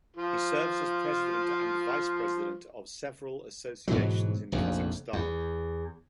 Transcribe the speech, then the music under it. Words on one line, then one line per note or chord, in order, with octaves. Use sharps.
He serves as President and Vice President of several associations in Kazakhstan.
F3 F4
G#2 B2 E3 F#3
F1 A#1 F2
E2